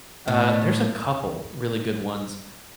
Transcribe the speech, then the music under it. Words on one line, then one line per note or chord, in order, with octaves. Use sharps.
uh, there's a couple really good ones.
A2